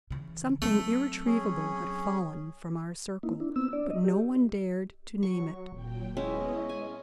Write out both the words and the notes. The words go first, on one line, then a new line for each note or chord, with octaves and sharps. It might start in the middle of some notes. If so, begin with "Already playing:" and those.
Something irretrievable had fallen from our circle. But no one dared to name it.
C#3 E3
F#3 A3 C4
C#4 G#4
A#3 D#4 E4
D4 E4
B3 C4 E6
D4 D5
D#5
G4
F#3 C#6
D#1 A#2 F#3 G5
G#3 B3 C#4 E4 D#5 E5
G#3 C#4 G#5